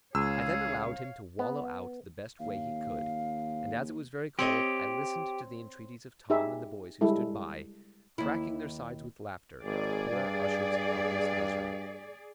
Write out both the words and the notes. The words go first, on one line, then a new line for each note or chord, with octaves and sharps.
I then allowed him to wallow out the best way he could; and as it was very cold, I listened to the entreaties of Tom and the boys who stood by, cracking their sides with laughter at the poor usher's helpless misery.
C#2 G#4 C#5 F5 E6
B3
D#2 F5
C4 G4 C#5 D#5
D#4 G4 G#4 E5
G3 G#3 E4 A4
D#2 E4
G#1 G#4 D5
G2